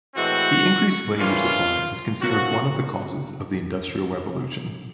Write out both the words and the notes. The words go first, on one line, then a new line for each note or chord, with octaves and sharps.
The increased labour supply is considered one of the causes of the Industrial Revolution.
A2 E3 G#3 C4 F#4
E3 G3 A#3 C#4 F4
F3 A#3 C#4 F#4